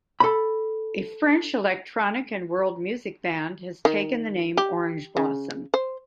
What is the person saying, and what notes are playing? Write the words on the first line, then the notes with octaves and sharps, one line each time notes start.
A French electronic and world music band has taken the name Orange Blossom.
A4 B5
D#3
G4
C#3
C5